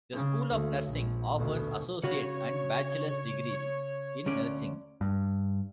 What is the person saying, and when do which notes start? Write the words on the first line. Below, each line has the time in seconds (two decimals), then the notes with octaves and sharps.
The School of Nursing offers associates and bachelor's degrees in nursing.
0.13 C#3
0.50 D2
0.89 A#1
1.35 D2 B2
2.03 C#3 F#4 C#5
4.26 D2 C#4 D5
5.01 G2